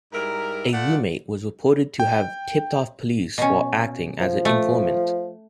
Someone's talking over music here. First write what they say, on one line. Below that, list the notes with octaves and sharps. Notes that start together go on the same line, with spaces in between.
A room-mate was reported to have tipped off police, while acting as an informant.
G#2 G3 E4 A#4
A3 F4 D5 F#5
G5
B2 C#4
F3
A3